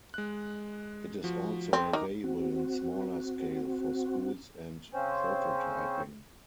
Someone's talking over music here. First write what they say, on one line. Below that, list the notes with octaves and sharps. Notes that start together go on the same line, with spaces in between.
It is also available in smaller scale for schools and prototyping.
G#3 F#6
F3 F#4
F2 C4
D#3 A#5 D6
C4 F#4
C#3 C4 C#4 C5